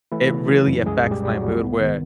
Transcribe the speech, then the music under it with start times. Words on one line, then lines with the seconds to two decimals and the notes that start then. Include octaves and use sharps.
it really affects my mood where
0.12 E3 A3 E4
0.30 C#3
0.49 F#3
0.67 F#2
0.85 C2 G#3 G#4
1.05 A#2
1.11 G3 G4
1.23 G3
1.35 F#3 F#4
1.42 C2
1.60 B3
1.79 D#3